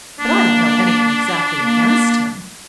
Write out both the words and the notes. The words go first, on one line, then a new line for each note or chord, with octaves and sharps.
"But I don't know anything exactly against him."
A#3 D4
A#3